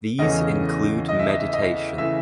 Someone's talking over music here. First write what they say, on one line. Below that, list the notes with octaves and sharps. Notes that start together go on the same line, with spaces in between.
These include mediation.
E2 C#3 E3 A3 C#4 D#5
D#5
E5
D#5
D#5
C#3 E3 A3 E5